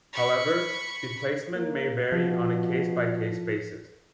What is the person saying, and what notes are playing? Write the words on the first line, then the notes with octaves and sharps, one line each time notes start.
However, the placement may vary on a case by case basis.
B5 C#6
A#3
B2 F3